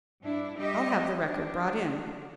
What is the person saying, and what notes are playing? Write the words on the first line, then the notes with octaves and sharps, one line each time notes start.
"I'll have the record brought in."
G2 D4 E4
G3 G4 D#5 E5
D4